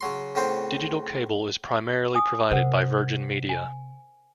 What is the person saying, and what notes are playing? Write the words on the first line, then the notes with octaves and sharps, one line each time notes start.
Digital cable is primarily provided by Virgin Media.
C#3 F#3 C6
A2 C#3 B3 C4 C5
G#5 D#6
C3 A#4 C5 F#5
G#5